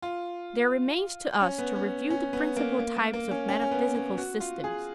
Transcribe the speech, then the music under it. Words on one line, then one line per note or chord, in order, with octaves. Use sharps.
There remains to us to review the principal types of metaphysical systems.
F4
C#4
B3
C#4
C#4
B3
A#3
A#3
A#3
A#3
C#4
C#4
C#4
B3
C#4
F#4
F4
G#4